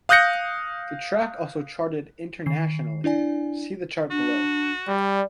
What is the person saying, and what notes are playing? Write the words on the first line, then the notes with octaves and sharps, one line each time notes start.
The track also charted internationally - see the chart below.
F5 D#6 F#6 G6 A#6 C#7
D#3 C7
D4 E4 D5 G#5
D4 F#4
G3 D5